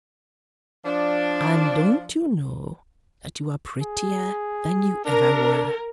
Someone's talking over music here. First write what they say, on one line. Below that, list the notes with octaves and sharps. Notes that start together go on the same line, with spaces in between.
"And don't you know that you are prettier than you ever were?"
F3 D4
G#4
D4 A#4